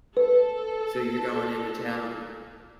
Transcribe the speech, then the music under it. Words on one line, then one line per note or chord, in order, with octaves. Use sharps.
So you're going into town
A4 B4